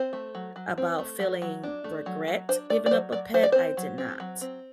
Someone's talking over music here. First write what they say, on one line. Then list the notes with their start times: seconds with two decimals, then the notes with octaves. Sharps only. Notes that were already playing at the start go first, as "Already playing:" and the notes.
about feeling regret giving up a pet, I did not.
Already playing: C4 C5
0.13 A3
0.35 F#3
0.56 F#3
0.78 C4
0.98 A3
1.20 F#3
1.42 F#3
1.63 D4
1.84 A3
2.06 F#3
2.28 F#3
2.49 D4 C5
2.70 A3 D5
2.86 D5
2.91 F#3 C5
3.12 F#3 D5
3.34 F#3 C5
3.43 D5
3.52 C4 C5
3.77 F#3
3.98 C4
4.20 F#3
4.41 C4